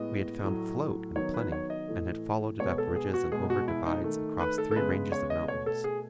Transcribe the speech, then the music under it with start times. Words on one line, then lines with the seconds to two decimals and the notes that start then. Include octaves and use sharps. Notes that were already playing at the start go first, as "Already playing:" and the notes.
We had found "float" in plenty, and had followed it up ridges and over divides across three ranges of mountains.
Already playing: A2 G#3 B3 D#5
0.44 A2 F#3 A3
1.16 D#3 F#3 B3 C#5
1.34 B4
1.52 C#5
1.70 D#5
1.88 A2 E3 A3
2.60 B2 G#3 B3 C#5
2.78 A4
2.96 G#4
3.14 F#4
3.32 B2 G#3 B3 G#4
3.50 F#4
3.68 E4
3.86 D#4
4.04 D#3 A3
4.40 B4
4.58 A4
4.71 A4
4.76 C#3 G#3 B3 B4
4.94 B4
5.12 C#5
5.30 D#5
5.48 B2 A3 C#5
5.66 A4
5.84 G#4